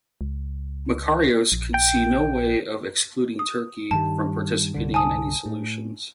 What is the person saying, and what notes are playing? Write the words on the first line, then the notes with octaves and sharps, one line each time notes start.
Makarios could see no way of excluding Turkey from participating in any solutions.
C#2
A#1
G5
D#6
G2 D#3 G3 A5
C2 G2 D3
G#5 A5 D#6
A2